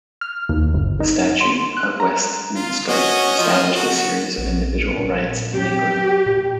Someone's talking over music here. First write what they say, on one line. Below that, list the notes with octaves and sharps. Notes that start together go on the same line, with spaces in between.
The Statute of Westminster established a series of individuals' rights in England.
F6
D#2
G1
D#4
C6
F#6
A#5
F4
C#4 F#4 D#5
F3 D#5
F#4
A#1
A#2
F#3 G4
A#2